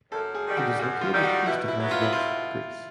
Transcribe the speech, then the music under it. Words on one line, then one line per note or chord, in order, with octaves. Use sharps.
It is located east of Lesbos, Greece.
F#2 A4
G#4
D#3 G3
F#4
F#2 F#4
F4
D#3 G3
F#4
B2 E4
E4
F#3 B3
F4
E4
B2 F4